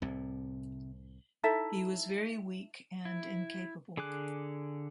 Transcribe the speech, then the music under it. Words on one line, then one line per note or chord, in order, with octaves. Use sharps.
He was very weak and incapable.
C2 A2 C3
D#4 E4 A4 E5
E4
D3 G#4 G#5 D6 F#6